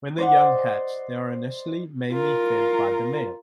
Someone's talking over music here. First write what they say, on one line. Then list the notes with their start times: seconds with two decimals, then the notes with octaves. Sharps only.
When the young hatch they are initially mainly fed by the male.
0.18 C5 D5 D#5 F#5
2.12 F4 A#4